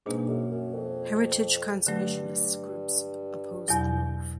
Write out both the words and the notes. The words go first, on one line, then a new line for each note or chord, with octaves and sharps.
Heritage conservationists groups opposed the move.
G#2 B2 G3 A#3 D4
F#2
F#2
F2
G2 D3 F#3 A3
E2 B2 F#3